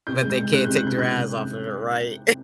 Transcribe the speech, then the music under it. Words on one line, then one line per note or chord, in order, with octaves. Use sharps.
but they can't take their eyes off of it, right?
C3 G6
G#3
G6
G#3
C3 F#6
G6
C3
F#6
C3 G6
C3 F#6